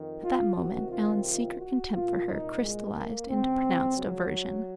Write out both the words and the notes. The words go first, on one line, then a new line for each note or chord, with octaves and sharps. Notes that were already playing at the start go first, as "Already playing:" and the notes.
At that moment Alan's secret contempt for her crystallized into pronounced aversion.
Already playing: F2 D#3
F4
C2 C3 D#3 F#4
F4
F4
F#4
C2 A#2 F4
D#4
G#3
A#3
C#2 C#3 C4
F#3